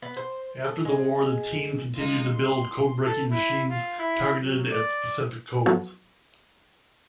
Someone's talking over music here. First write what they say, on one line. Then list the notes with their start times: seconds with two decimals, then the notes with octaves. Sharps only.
After the war, the team continued to build codebreaking machines, targeted at specific codes.
0.02 B3
0.17 C5
0.64 A4
0.85 G#3
1.96 G#3 D#4 F4
2.32 C6
3.06 A4
3.30 E4
3.70 F4
3.99 E4
4.39 F#3
4.71 D5
5.66 F3 F#3 B3 F#4 A4 B4